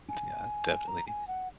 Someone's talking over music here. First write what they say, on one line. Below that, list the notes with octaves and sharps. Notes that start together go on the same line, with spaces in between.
Yeah, definitely.
G#5
A#5
G#5
F#5